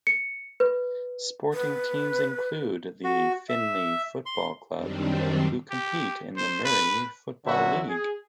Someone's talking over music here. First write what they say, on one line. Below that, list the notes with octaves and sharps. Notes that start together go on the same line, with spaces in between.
Sporting teams include the Finley Football Club, who compete in the Murray Football League.
C#7
B4
B4
F#4
E5
C6
F#2 D#3 G3 C4 D4
G4
C5
B4
F#2 D3 F#3 B3 F#4 E5
G#4